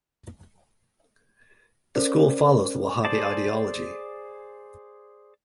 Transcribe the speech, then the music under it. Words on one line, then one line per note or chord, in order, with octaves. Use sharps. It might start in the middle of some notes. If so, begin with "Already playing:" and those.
The schools follows the Wahhabi ideology.
C#4 A4 A#4 C5 D5
G#4 C5 D5 A5